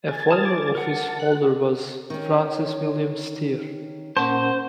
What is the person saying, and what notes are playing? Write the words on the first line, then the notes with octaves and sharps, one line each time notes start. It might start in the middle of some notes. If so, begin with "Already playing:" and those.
A former office holder was Francis William Steer.
G#5 A6
A5 D#6 F6
D6
A#4 F#5 A5
F#6
D#3 C#4
A#2 C#4 A#4 C5 F#5 A5